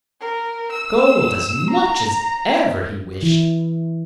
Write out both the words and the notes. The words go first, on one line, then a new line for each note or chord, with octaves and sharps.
Gold as much as ever he wished.
A#4
E6
A#5
E3 E4